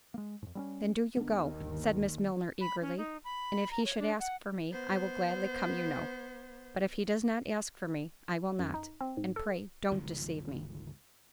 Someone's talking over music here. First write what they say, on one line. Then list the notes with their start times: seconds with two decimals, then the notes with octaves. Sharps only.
"Then do you go," said Miss Milner, eagerly; "and if he should ask for me, I will gladly come, you know; but if he does not ask for me, I will not--and pray don't deceive me."
0.14 G#3 A#3
0.42 F2 G#2
0.55 G3 C4 C#4
1.17 D#2 D#3 B3 D4
1.60 G1 D2
2.60 B5
2.81 C#4
2.97 D#4
3.24 B5
3.70 A#5
3.84 C#5
3.98 D4
4.19 F#5
4.72 B3 C5
8.59 F#2
8.74 D#4
9.01 C4
9.17 G#2
9.36 A4
9.91 G1 C#2 D#3 F3